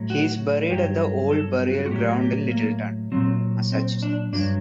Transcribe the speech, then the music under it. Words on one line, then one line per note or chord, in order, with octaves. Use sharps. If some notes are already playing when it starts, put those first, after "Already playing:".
He is buried at the Old Burial Ground in Littleton, Massachusetts.
Already playing: A2 F#3
F#4
G2 F#3 G4
A4
F#4
F#4
A2 F#3 G4
G4
A#3
A#2 F#3 C4
C4
D4
G2 F#3 D4